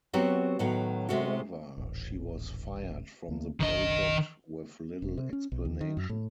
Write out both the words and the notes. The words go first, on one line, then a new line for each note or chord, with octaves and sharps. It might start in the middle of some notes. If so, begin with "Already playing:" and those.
However, she was fired from the project with little explanation.
F#3 B3 C4 F#4 G4
A2 D#3 F#3 B3
C3 G#3 A3 F#4
D#1 A1
D2 A3 A#3
F#1 B1 D#3 D4 D#5
E1
C3
C#4
B1
D#2
D#3
F#2
A2